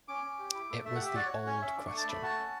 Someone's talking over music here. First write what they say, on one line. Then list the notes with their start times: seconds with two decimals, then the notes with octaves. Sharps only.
It was the old question.
0.08 C#4 D6
0.24 C#4
0.39 G4
0.54 E4
0.70 A3
0.85 A3 E5
0.96 F#5
1.00 G4
1.05 E5
1.15 F#4 D5
1.26 C#5
1.31 F#4
1.46 C#4 C#5
1.62 C#4 E5
1.76 D4
1.87 C#6
1.93 A3 A5
2.08 A3 B5
2.23 F#4 A5
2.39 C#4